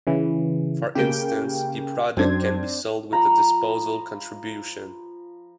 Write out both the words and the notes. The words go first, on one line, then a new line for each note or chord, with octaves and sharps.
For instance the product can be sold with a disposal contribution.
C#3 E3
C#3 A#3 G4 G5
F#2 C4 D4 C5 G#6
F3 A#5 B5